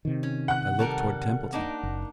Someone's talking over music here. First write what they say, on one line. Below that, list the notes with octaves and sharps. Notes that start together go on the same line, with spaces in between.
I looked toward Templeton.
C3 D#3
C#4
F#5 F#6
G3 A4 A#4
A#3 D4 D#4
F#1